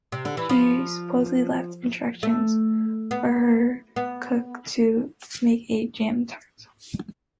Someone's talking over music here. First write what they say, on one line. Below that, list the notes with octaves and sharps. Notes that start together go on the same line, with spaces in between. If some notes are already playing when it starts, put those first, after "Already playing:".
She supposedly left instructions for her cook to make a jam tart.
C3
D3
E3
F3
A3
B3
B3